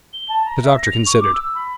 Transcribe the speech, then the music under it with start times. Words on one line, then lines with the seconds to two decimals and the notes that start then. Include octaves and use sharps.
The doctor considered.
0.12 G7
0.28 A5
0.45 A#5
0.62 E5
0.77 A#6
0.91 F7
1.06 C#6
1.19 D6
1.33 E6
1.54 B5